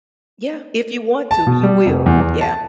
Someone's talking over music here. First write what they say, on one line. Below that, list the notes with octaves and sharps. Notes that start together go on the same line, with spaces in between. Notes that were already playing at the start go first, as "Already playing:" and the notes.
Yeah, if you want to, you will. Yeah.
A5
B2
G3
F1
E2
E2
A5